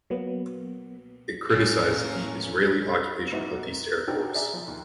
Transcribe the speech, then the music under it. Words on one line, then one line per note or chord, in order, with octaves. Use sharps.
It criticized the Israeli occupation of these territories.
F#3 A#3 B3
A2 E3 A#3 C#4 A#4
G#2 B3 E4 F#4
A#4
D4 D#4 F#4 A#4 C5 G5
G#4 D5 E5 A#5
F3
D#2